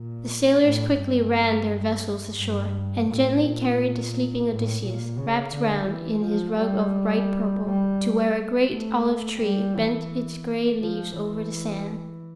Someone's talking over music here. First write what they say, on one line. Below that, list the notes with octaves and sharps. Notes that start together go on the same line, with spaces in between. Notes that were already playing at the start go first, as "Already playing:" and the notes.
The sailors quickly ran their vessel ashore and gently carried the sleeping Odysseus, wrapped round in his rug of bright purple, to where a great olive-tree bent its gray leaves over the sand.
Already playing: A#2
A2
G2
G2
A2
A#2
A2
A#2
C#3
D3
E3
F3
G3
G3
A3
G3
E3
F3
E3